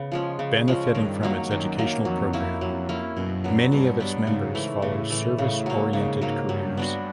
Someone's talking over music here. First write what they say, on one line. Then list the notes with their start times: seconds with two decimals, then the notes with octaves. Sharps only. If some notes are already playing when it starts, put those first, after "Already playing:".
Benefiting from its educational programme, many of its members follow service-oriented careers.
Already playing: C#3 B3
0.12 F3 G#3 C#4
0.39 C#3
0.68 F3 G#3 C#4
0.95 G2 D#3
1.23 F#3 A#3
1.50 F#2 D#3
1.79 F#3 A#3
2.05 F2 F#3
2.33 A#3 C#4 E4
2.61 F2 F#3
2.89 A#3 C#4 E4
3.17 F#2 B2
3.44 F#3 B3 D4
3.72 G2 B2
4.00 F#3 B3 D4
4.27 G#2 C#3
4.55 E3 A3
4.82 A2 C#3
5.10 E3 A3
5.38 A2 C#3
5.66 F#3 A#3
5.93 G#2 C#3
6.21 F#3 A#3
6.49 G2 F#3
6.77 B3 D4 F#4